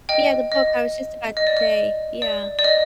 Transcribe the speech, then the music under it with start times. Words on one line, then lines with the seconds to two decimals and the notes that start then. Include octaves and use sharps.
Yeah, the book, I was just about to say, yeah.
0.09 D#5 G5
0.52 D#5
1.37 D#5
1.47 D5
1.57 D#5
2.22 D5
2.59 D5
2.64 D#5